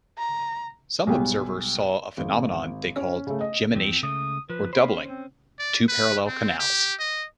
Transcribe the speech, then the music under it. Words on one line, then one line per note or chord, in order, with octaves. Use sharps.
Some observers saw a phenomenon they called "gemination", or doubling - two parallel canals.
A#5
B1 G#2 G3 G#4 G5
G#1
C#4
C#3 A3
D#5
E2 F3 C4
C#2 C#3 A3 D#6
F3 B4
C#4 C5 B5
C4
D5
B4
C4
G4
D#5